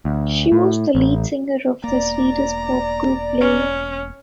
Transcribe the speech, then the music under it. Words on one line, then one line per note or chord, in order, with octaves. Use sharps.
She was the lead singer of the Swedish pop group Play.
D2
A2
A1
E1 A#3 D5 A#5
C#4